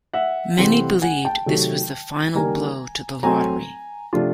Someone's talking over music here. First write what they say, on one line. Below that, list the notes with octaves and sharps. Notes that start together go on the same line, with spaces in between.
Many believed this was the final blow to the lottery.
E5 F#5
C3 E3 A3 C4
F#5 G#5
G5 A5
C3 D#3 F#3 A3
D#3 G3 A#3 G#5 A#5
F#3 A3 C4 G#5 A#5
C3 F3 A3 D4 F4